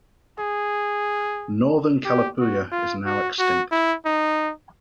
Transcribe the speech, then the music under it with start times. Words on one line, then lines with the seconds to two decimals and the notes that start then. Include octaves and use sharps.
Northern Kalapuya is now extinct.
0.39 G#4
2.05 G4
2.39 F#4
2.72 F4
3.06 F#4
3.39 F#4
3.72 E4
4.06 D#4